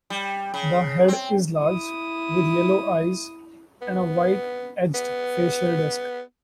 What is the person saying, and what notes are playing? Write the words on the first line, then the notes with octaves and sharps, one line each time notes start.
The head is large, with yellow eyes and a white-edged facial disc.
G3
C#3
C4
E4 D#6
B3
B3